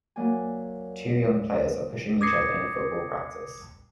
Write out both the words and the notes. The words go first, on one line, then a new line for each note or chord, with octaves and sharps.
Two young players are pushing each other in a football practice.
F#3 A#3 D5 G#5
D6 D#6 G#6 A#6 C7 C#7